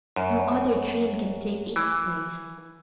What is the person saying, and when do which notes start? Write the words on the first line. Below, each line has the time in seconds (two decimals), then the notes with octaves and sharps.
No other dream can take its place.
0.16 F#2
1.76 E3